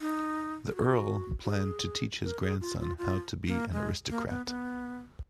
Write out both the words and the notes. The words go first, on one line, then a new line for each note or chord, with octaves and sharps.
The Earl planned to teach his grandson how to be an aristocrat.
D#4
G#4
F#4
F#4
G#4
A#4
G#4
F4
F4
F4
A#3
G#3
A#3
B3
B3